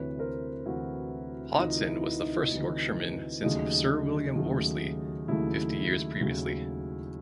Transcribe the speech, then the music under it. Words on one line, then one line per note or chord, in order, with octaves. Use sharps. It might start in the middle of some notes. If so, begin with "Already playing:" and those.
Hodson was the first Yorkshireman since Sir William Worsley fifty years previously.
Already playing: D2 C3 E3 B4 C#5
A#4 C5
D2 C3 E3 E4 F#4
D2 C3 E3 D#4 F4
E4
D#4
D#4
D2 C3 E3
D#2 C#3 F#3 A3 D#4
D#2 C#3 F#3 A3
D#2 C#3 F#3 A3 E4
D#2 C#3 F#3 A3